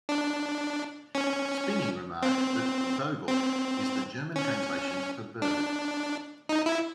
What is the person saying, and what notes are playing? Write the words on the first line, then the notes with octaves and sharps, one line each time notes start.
Spinney remarked that "Vogel" is the German translation for "bird".
D4
C#4
C4
C4
C#4
D4
D#4
E4